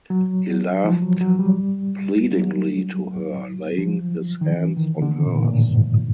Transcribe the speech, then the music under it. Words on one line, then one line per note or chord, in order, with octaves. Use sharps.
He laughed pleadingly to her, laying his hands on hers.
F#3
F3
F#3
F#3
G3
F#3
F3
D#3
E3
D#3
D3
A#2
A#2
A2
G2
G#2